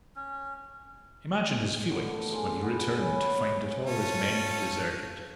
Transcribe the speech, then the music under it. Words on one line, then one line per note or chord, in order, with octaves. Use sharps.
Imagine his feelings when he returned to find that all his men had deserted.
C#4
B2 D3 D#3 A3
G#3 F4
B3 F#5
B3 C#4 G#4
F#4 B4 C#5
C#4 F4 A4